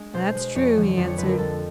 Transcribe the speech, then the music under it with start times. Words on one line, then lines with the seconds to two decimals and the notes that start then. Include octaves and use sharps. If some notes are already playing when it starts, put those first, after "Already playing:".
"That's true," he answered.
Already playing: G#3 D4
0.13 B2 C5
0.35 G#3
0.55 F2 C#5
0.77 D3 F3
0.97 F2 D5
1.07 C#5
1.18 D3 F3 B4
1.28 A#4
1.38 F2 A4